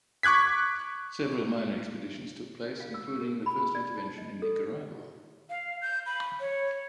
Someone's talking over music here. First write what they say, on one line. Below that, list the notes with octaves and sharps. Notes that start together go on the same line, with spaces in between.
Several minor expeditions took place, including the first intervention in Nicaragua.
C#6 D6 F#6 G#6 B6
F5
E6
G4
A#4
B5
D5
D#4
D#5
A4
F5
G6
B5
C#5